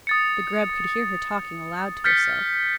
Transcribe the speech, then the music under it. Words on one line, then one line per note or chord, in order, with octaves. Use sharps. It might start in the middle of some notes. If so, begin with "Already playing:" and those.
The Grub could hear her talking aloud to herself.
D#6 A6 C#7
F6 G6 A6 B6 C#7